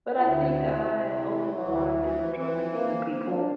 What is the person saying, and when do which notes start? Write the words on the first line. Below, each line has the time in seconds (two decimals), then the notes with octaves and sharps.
But I think I overall, I do enjoy meeting new people.
0.16 F4
0.23 D2 E4
0.59 C3
0.95 C3
1.30 E3
1.65 D2 E4
2.02 E3
2.36 E3 C4
2.72 A#3
3.07 A#3 C4
3.20 C4
3.31 D4